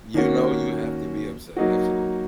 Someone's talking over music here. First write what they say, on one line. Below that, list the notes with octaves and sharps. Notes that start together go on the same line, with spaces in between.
You know, you have to be upset, absolutely.
D#3 A#3 C#4 F#4
F#3 A#3 D#4 F#4